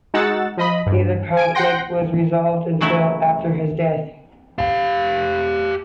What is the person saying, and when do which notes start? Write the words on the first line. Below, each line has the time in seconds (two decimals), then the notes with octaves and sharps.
Neither conflict was resolved until after his death.
0.14 G#3 D#4 F#4 F#5 E6 A6
0.57 F3 D#5 B5
0.86 G2
1.37 G#5 D7
1.55 F#5 G5 C6 G6 A#6
2.81 C#3 F#3 A3 E4
4.58 G4 F5